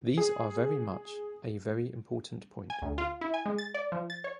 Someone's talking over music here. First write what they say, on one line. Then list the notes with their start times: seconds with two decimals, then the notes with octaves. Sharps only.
These are very much a very important point.
0.18 G#4
2.70 G#5
2.82 D2
2.98 F4
3.21 E4
3.34 G#5
3.46 G#3
3.58 A6
3.74 D5
3.92 F3
4.10 A6
4.24 C#5